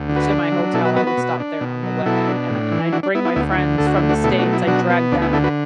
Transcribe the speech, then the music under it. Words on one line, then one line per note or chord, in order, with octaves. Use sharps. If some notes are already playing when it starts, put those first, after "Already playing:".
to my hotel, I would stop there on the way, and I and I'd bring my friends from the States; I drag them
Already playing: D2
D3
F#4 B4
D4
F#3
B2 E4 A4
F#4 B4
B3 F#4 B4
F#4 B4
B2
D4
B2
F#3
B2 E4 A4
D4
A2
E3
D4 F#4
D4
B3 E4
E4
D2 E4
E4
D3
D2 A4
F#4
E4
A3
D4 F#4
B2 E4 A4
D4 F#4
F#3
E4
B2 D4 F#4
B3
D2 D4
E4
D3 E4 A4
F#4 B4